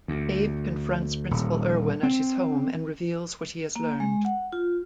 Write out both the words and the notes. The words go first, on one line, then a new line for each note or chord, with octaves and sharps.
Abe confronts Principal Erwin at his home and reveals what he has learned.
D2
D#1
C4
A#3
G#3
F#5
F4